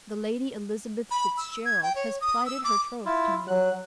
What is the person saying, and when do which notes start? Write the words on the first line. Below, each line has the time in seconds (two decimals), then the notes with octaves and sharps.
"The Lady Elizabeth Fitzgerald has plighted her troth to me."
1.11 B5
1.37 E6
1.65 G#6
1.83 G5
1.95 C#5
2.21 D#6
2.46 E6
2.64 D6
3.06 E4 F4
3.48 F#3 F#6